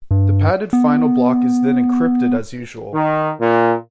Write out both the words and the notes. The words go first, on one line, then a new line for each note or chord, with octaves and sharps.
The padded final block is then encrypted as usual.
G2
B3
D#3
A#2